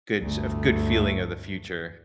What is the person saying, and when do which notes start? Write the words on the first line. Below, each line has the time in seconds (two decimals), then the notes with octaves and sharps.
good ch a good feeling of the future.
0.19 G1 D2 A3